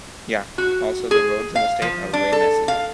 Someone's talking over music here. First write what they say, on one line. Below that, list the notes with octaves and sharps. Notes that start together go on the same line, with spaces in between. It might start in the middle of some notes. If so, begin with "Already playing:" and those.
Ya. Also the roads in the state are way messy.
F#4
G#4
F5
F3
D4
A4
F5